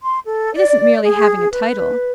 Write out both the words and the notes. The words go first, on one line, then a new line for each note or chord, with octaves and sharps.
It isn't merely having a title.
C6
A4
D5
G#4
B4